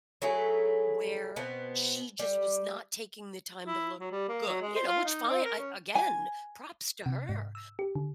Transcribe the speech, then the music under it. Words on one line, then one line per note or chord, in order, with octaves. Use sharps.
where she just was not taking the time to look good, you know, which fine I again, props to her,
F#3 A3 E4 G#4
B2 B3 C4
G3
E4
F#3
G3
A#3
F#3
G#3
C5
F4
D#4
C4
A#4
C#4
G#5
C3
G#2
E6
G4
D3